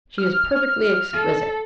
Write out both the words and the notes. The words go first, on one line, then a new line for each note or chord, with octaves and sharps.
She is perfectly exquisite.
F6
A4